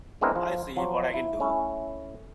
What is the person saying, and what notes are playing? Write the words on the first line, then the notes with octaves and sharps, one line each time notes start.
I'll see what I can do.
G#3 B3 C4 D4 E4 A#4
F3
F3 F#3
E4
A3 C#4 E4